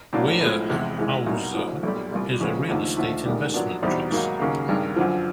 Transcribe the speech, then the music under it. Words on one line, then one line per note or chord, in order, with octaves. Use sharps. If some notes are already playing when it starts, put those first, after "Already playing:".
Weyerhaeuser is a real estate investment trust.
A2 F#3 A#3 D4
B1 A2 F3 G#3
E2 C3 F3 G#3
G#1 G#2 E3 G#3
C2 B2 F#3 A#3 D#4
A1 G#2 F3
B1 A#2 G3
C2 A#2 G3
F2 C#3 F3 G#3 B3
D#2 D3 F3 A3
D#2 D3 F3 A3
A1 G#2 D#3 G3
A#2 F#3 B3 D4
E2 B2 G3 C4 D#4
G#2 D#3 F#3 A#3 D#4
D#2 C#3 F#3 A#3
G#1 G2 D#3
F#2 D3 F3